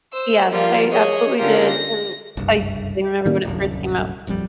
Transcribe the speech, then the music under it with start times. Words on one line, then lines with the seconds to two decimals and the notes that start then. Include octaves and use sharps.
Yes, I absolutely did, and I'd I remember when it first came out
0.12 C5 E6
0.51 F3 G3 A#3 F4
0.90 G#4 C#5 D#5
1.38 D3 A#3 C#4 F4 G4 A#4
1.69 A#6
2.37 F#1 C2 G2
3.25 A2 D#3 A#3 C#4
3.45 D1 C2 F#2
4.27 D#1 A#1 F2 G3